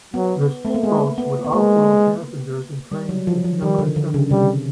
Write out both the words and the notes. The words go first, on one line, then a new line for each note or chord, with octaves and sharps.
The steam boats would offload passengers and trade with nearby settlements.
F#3 B3
A3
A#3
G#3 B3
B3
B3
G#3 A#3
G3
F#3
F3
F3
D#3 G3
D3
D3
C#3
C3 G3